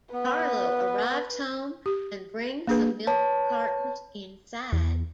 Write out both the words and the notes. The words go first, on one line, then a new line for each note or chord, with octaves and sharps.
Carlo arrives home and brings the milk cartons inside.
B3 B4
G4
A#3 D4 G#4 B4
B4 C#5 A5
E2